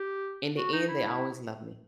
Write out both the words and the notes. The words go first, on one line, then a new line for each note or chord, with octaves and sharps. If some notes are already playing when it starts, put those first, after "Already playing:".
in the end, they always love me.
Already playing: G4
F#4
D#4
E4